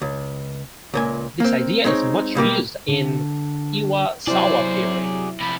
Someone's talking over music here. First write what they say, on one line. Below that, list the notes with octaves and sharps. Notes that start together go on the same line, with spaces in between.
This idea is much used in Iwasawa theory.
C#2
C#2 A#2 G#5
A#3 C4
G#3 C4 D#4 C#5
B2 G3 A#3 G4
D3
C3 F#3 E4 G#4 C5 D5
C3 F3 B5